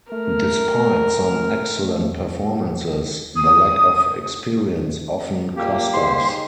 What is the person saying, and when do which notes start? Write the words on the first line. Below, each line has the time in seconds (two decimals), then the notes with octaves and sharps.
Despite some excellent performances the lack of experience often cost us.
0.12 A3 A#4
3.36 D#6
5.56 F3 G3 A#3 G4
5.94 G3 D#4 G#4 C5 C6